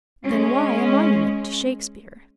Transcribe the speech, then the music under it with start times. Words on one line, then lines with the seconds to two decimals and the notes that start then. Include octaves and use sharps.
Then why a monument to Shakespeare?
0.24 G#3 C#4